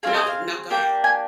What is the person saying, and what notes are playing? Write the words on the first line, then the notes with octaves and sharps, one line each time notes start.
No, no, go ahead.
C4 F4 G#4 F5
D#5
F5
A#3 D4 G4 G5
G#5